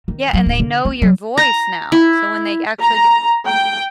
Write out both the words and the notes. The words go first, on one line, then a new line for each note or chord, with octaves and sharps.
Yeah, and they know your voice now, so when they actually ge
D#3
F#3
D1
D3
C4
F#3
A#5
E4
A#5
G5